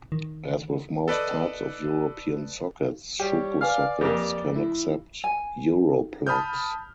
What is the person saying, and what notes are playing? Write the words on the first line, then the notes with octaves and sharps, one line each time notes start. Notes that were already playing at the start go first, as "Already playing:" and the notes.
As with most types of European sockets, Schuko sockets can accept Europlugs.
D#3
A4 B4 D5 D#5
G3 G4 C#5 G5
B4 D5 F5 G#5 F6
F2 A#3 G4
E4
G#5
A5 B5 D#6 F6 G6